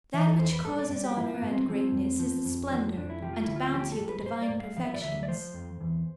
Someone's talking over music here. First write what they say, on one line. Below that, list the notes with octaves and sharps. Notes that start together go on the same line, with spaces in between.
That which causes honor and greatness is the splendor and bounty of the divine perfections.
E3 E5
A4
E2 C5
B4
G2 A4
D5
G2 D5
G4
F3 E4
B3
G2
C4
F3 C4
F2
F3
F2
F3 D4
F2 D4
E4
F3 G4
F4
D2 E4
F4
F3 G4
A4
G2
B4
B4
G2 C5
D5
G2
F5
F3 F5
E5
D5
D2 E5
D5
F3 C5
F2
E2